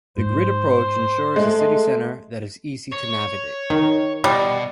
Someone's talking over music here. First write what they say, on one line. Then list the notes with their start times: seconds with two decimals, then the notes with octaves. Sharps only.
The grid approach ensures a city center that is easy to navigate.
0.18 G#2 C5
1.36 G#3 A3
2.92 C#5
3.70 D#3
4.24 B2 G3